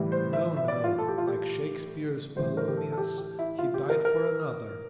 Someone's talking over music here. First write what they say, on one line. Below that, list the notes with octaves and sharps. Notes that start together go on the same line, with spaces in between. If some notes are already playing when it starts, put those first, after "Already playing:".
No, no; like Shakespeare's 'Polonius,' he died for another.
Already playing: A2 E3 G3
C5
E5
E5
D5
F4
A4
G4
F4
G4
A2 E3 G3 C5
A#4
G4
A4
A4
G4
G4
E4
F4
G4
A#4
A#4